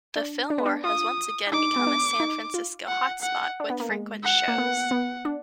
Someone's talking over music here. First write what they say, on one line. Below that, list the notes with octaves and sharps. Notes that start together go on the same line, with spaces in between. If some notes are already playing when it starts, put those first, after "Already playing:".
The Fillmore has once again become a San Francisco hot spot with frequent shows.
D4
D4
B3
D4
F4 D#6
D4
D#4 D6
B3
D4
D#4
F4
F#5
F#5
D4
B3
A#3
G#3
F#5
A#3
B3
B3
D4